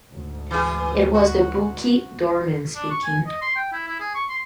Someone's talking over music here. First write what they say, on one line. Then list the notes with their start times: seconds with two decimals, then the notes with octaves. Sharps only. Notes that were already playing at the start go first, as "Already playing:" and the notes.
It was the bulky doorman speaking.
0.11 D2 G#2
0.51 E3 G#4
1.14 F#4
2.75 D4
2.91 C#6
3.04 G#5
3.27 D#5
3.42 C6
3.56 G5
3.73 E4
3.88 E4
4.00 G#4
4.15 C#6
4.29 C6